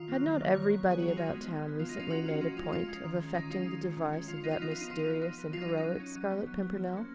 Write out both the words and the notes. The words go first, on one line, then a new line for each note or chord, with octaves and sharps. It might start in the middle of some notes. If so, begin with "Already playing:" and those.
Had not everybody about town recently made a point of affecting the device of that mysterious and heroic Scarlet Pimpernel?
Already playing: D#3 F4
F#3 A#3
D#3
F#3 A#3
D#3 C#5
F#3 B3
D#3 G#4
F#3 B3 F#4
F4
F3 D#4
G#3 B3
F3
G#3 B3
F3 F4
D#4
A#3 C#4 F4
F3 F#4
A#3 C#4 F4
F3 D#4
G#3 C#4 F4
F3 F4
G#3 C#4
D#3
G#3 C#4
D#3 D#4
G#3 C#4 F4
D#3
G#3 C#4
D#3
G#3 C#4
F3 F4
B3 D#4
F4
F3 D#4
B3 F4
D#4
F3 F4
D#4
B3
F3 D#4
B3
F#3 F4
D#4
C#4
D#4
F#3
C#4
F#3
B3
F#3
B3
F3
A#3 C#4